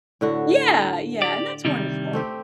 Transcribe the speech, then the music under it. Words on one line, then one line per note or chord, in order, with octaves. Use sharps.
Yeah. Yeah and that's wonderful.
A2 D3 F#4
G4 D5
C3 D#3 G3
A3 C4 G4